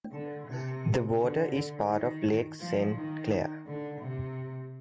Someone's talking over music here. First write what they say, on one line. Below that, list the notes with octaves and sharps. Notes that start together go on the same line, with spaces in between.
The water is part of Lake Saint Clair.
D3
C3
D3
D#3
F3
D#3
D3
C3